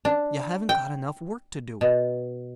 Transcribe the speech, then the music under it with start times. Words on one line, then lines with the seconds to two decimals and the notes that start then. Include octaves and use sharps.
You haven't got enough work to do.
0.05 D4
0.69 G5
1.81 B2